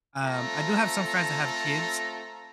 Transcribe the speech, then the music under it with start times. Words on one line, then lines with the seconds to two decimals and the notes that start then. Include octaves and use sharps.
um, I do have some friends that have kids,
0.23 A3 C4 F4 A4 A#5